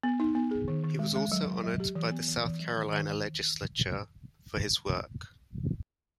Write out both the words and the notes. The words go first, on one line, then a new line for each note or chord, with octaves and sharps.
He was also honored by the South Carolina Legislature for his work.
B3
D#4
B3
G#4
D#3
D#3
G#3
G#3
F#3
F#3
F#3
G4
E3
B3
E3
E3
F#3
D#3
D#3